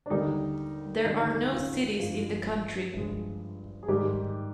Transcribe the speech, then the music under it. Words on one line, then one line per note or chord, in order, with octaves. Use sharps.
There are no cities in the country.
D4
D#2 D3 G3 D#4
D#2 D3 G3 D#4
F4
G2 F3 G#3 F4
G2 F3 G#3
G#4
G#2 D#3 G3 G4